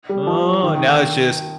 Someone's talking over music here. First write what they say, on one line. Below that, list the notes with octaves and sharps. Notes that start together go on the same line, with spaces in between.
Oh, and now it's just
G3
F3
D#3
D#3
D#3